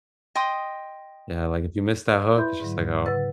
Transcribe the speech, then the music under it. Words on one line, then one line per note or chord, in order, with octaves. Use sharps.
Yeah, like, if you miss that hook, it's just like, "Oh,
D#5 G5 C6 D#6
D5
E4 B4 E5 B5 C6 G6
G#2 D3 F#3
C#3 B4 F#5 E6 A6